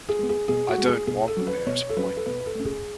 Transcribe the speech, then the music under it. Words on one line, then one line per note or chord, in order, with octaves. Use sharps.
I don't want the mayor's appointment.
G#4
G#3 B3
G#4
B2 G#4
F#4
G#3 B3
G#4
B2 G#4
A4
F#3 C#4
B4
B2 C#5
A4
F#3 C#4 B4
A4
B2 B4
B4
A4
A3 C#4
G#4